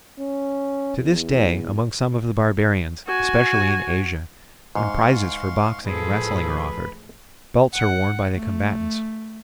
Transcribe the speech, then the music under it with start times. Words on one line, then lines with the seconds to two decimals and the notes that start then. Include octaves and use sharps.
To this day among some of the barbarians, especially in Asia, when prizes for boxing and wrestling are offered, belts are worn by the combatants.
0.19 C#4
0.97 E2
3.07 F#4 G#5
4.75 G#2 F5 C6 C#6
5.86 A2 F3 G#4 A4 B4
7.74 F#5
8.34 A3